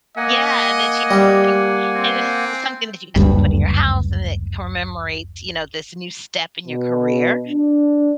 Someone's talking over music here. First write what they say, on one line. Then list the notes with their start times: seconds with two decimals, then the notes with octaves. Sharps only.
Yeah, and then she has something and it's something that you guys can put in your house and that commemorates, you know, this new step in your career.
0.17 A#3 D#5 F#5 G#5
1.11 G3
1.96 C4
3.16 F#1 D2 G2
6.68 B2
7.48 D4